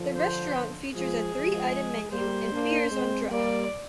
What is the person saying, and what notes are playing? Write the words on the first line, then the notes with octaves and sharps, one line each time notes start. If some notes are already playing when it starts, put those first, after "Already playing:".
The restaurant features a three-item menu and beers on draft.
Already playing: D3 F3
C5
F3 G#3 G#4
F3 G#3
G3 A#3 C5
A#3 D4
G#3 C4
G3 A#3 D5